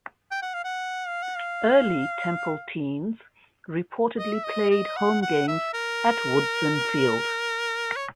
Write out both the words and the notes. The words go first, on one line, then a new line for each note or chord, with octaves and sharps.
Early Temple teams reportedly played home games at Woodson Field.
G5
F#5
F5
F#5
F5
F#5
F5
D#5
E5
D#5
D#5
F#5
F#5
E5
A#4
C#5